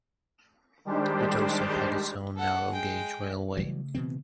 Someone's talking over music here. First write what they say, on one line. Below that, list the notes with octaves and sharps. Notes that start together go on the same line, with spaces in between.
It also had its own narrow gauge railway.
D#3 G3 G#3 D4 G4 C5
A4 F#5
G#3 G5
C#3 E3 F#3 G3 A3
B2 E3 C4